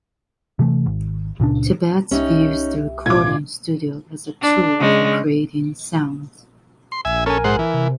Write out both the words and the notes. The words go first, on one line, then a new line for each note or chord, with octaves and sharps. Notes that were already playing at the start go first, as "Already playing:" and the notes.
Tibbetts views the recording studio as a tool for creating sounds.
C3 E3 A3
G#1
C#2 A#2 C#3 D4
C2 C#4 D#4 G4 E5
E1 A1 F4 D6 G#6
D4
C#3 G#3
C6
A#1 E5 G#5
C#4 A4 A#4 G#5
G#2 C5 F#5
E3
C3